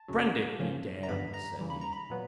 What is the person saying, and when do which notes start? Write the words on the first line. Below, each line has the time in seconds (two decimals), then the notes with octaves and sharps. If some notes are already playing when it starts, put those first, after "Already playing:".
"Prendick be damned!" said he.
Already playing: A5
0.08 F#2 C#3 F#3
0.58 C#3 F3 A#3 C#4
1.03 A#5
1.09 G2 D3 G3 B3 B5
1.34 A#5
1.59 C#3 E3 G3
1.70 B5
1.81 A#5
1.93 B5
2.10 A#2 F#3 B3